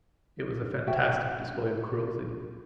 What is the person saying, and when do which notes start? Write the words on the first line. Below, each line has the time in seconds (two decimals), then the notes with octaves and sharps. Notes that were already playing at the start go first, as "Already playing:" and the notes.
It was a fantastic display of cruelty.
0.87 F#4 E5 G5